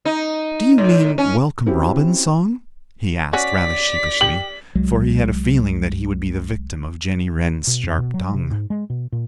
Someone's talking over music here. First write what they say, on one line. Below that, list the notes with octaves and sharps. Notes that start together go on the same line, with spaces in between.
"Do you mean Welcome Robin's song?" he asked rather sheepishly, for he had a feeling that he would be the victim of Jenny Wren's sharp tongue.
D#4
A2
C#4
C4 C#4 E4 F#4 G4
C#4 F#4 D5 B6
G4 F#7
C2 F#3 G#3
B2
F2
B2
F#3
C3
G#2
G#3
B2
A#2